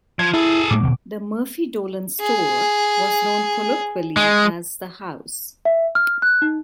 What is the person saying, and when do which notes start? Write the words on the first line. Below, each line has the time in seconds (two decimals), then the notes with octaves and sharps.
The Murphy-Dolan store was known colloquially as The House.
0.19 F3 G#6
0.34 E4 G#4 A4
0.71 A2 F#3 G#3 D6
0.82 D#1 B2 D3
2.20 G#4
4.17 G#3
5.65 E5
5.95 F6
6.22 F#6
6.42 D#4